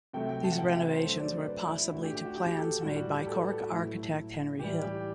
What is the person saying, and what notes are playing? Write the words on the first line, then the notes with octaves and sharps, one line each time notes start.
These renovations were possibly to plans made by Cork architect Henry Hill.
C3 F#3 A3 G5
G5
A5
F#5
G5
E5
C5
D3 F#3 A3 C5
D5
B4
E4
E4
D3 A3 F#4
G4
G4
F#4
G4
A4
A2 G3 F#4
F#4
G4
A4
B4
A4
F#4
A2 F#3 A3 E4
A2 E3 G3 G4
G4